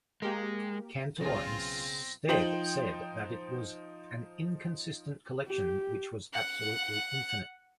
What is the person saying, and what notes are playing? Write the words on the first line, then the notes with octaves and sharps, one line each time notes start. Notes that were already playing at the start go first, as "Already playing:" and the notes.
Cantor instead said that it was an "inconsistent" collection which was absolutely infinite.
G#3 A#3 G4 A#4
B1 C#3 C4 F4 G#4 A#6
F3 D#4 C5 G5 F#7
G4
F#5